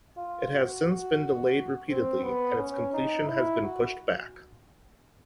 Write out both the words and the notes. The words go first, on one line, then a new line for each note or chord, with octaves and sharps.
It has since been delayed repeatedly and its completion has been pushed back.
F4
F#4
F#4
C4
B3
C#4
D#4
E4
F#4